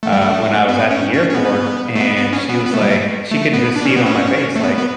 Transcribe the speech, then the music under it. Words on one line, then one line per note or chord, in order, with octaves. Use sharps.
uh, when I was at the airport, and she was, like She could just see it on my face, like,
A3
G3
A3
B3
C#4
C#4
C#4
B3
A3
B3
B3
C#4
B3
B3
A3
G3
A3
A3
B3
D4
C#4
B3
C#4
A3
B3
B3